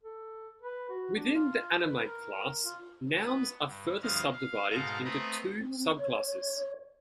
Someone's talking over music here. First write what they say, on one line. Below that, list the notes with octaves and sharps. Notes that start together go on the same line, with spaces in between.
Within the animate class, nouns are further subdivided into two sub-classes.
A4
B4
F#4
D4
F4
B4
A#4
F4
B3
G2
D2 G2 F3 D#5 F5
F5
G#2 B2 A4 F5 A#5
A3 B3 C4 B4 D#5 A#5
C4
C#5